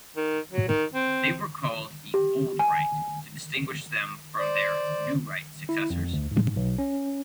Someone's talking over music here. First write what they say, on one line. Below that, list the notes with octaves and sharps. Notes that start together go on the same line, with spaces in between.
They were called the "Old Right" to distinguish them from their New Right successors.
D#3
F#3
D#3
C4
G4
G#5
C5 D5
E4
F2
D2
G#2
B1
C#4